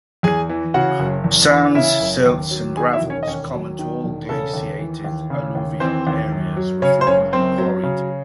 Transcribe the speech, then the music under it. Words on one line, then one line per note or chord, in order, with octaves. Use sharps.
Sands, silts and gravels, common to all glaciated alluvial areas were frequently quarried.
E2 G#4 G#5
E3
C#3 F#4 F#5
F#1
E2
E3
C#3 E4 E5
F#1
D#2
F#3
D#3 G#4 G#5
E4 E5
E1
C#4 C#5
D#5
D#2 C#4 C#5
F#3
D#3
E1
C#3 A4
D#2
E3
D#2
C#3
D#2
E3 C4 C5
D#2
F#2
F#3
C#3 C#4 C#5
C5
F#1 C#4 C#5
F#2 C4 C5
F#3
C#3